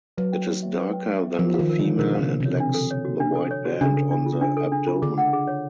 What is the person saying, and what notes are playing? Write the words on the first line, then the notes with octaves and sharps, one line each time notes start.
It is darker than the female and lacks the white band on the abdomen.
F#3 B4
G5
C6
E5
B4
G5
C6
E5
F3 A#4
F5
D#3
A#4
D3 C#5
B2 A#4
C#3 F5
A#4
C3 C#5
D4
A4
C#5
F#4
D4
A4
C#5
F#4
C#3 D4
A4
D4
F4
D4
A4
D4
F4
D3 G#4
F#5
G#4
C#5